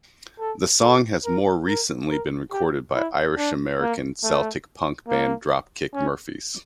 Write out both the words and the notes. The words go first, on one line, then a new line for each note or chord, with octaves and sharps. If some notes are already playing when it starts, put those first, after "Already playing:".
The song has more recently been recorded by Irish-American Celtic punk band Dropkick Murphys.
A4
A4
A#4
A#4
A#4
G4
E4
D4
A#3
A3
A#3
C#4